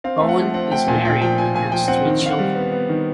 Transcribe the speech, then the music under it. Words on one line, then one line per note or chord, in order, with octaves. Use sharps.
Bowen is married and has three children.
C4 F5
A3
F#5
F3
C4 F#5
A3 G5
A#2 G#5
A#2 G5
F3 G5
A#2 G#5
A#2 G#5
F3 G5
C4 F#5
D#3
D#3 F5
F#5
G3
B3
B3
D#3